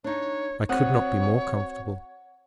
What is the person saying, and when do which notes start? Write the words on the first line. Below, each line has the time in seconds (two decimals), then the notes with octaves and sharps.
"I could not be more comfortable."
0.04 D4 D#4 C#5
0.69 C4 F#4 C#5 F#5 D#6